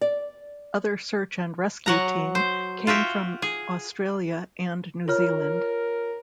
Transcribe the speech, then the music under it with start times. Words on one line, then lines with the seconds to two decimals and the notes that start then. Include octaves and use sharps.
Other search and rescue team came from Australia and New Zealand.
0.01 D5
1.86 F#3 F#5 A#5
2.35 C5
2.87 F4 F#4 E5 G5
3.42 G#4
5.08 F4 A#4 C#5 F6